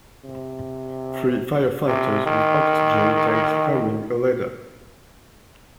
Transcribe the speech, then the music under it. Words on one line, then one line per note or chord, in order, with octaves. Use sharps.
Three firefighters with oxygen tanks climbing a ladder.
C3
C3
D#3